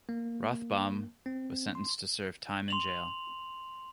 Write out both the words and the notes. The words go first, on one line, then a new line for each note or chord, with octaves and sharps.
Rothbaum was sentenced to serve time in jail.
A#3
C4
C6
C6 F7 F#7